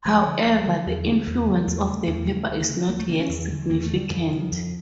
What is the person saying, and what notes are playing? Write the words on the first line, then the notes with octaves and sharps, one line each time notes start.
However, the influence of the paper is not yet significant.
D2 F3
D3
D2
D3
E2
D3
E2
D3
E2 A3
C#3
E2
C#3
D2
C#3
D2 A#3
A3
C#3 A#3
C#4
E2 E3
D3
E2 A#3
A3
D3
G3
F2 F3
C#3
F2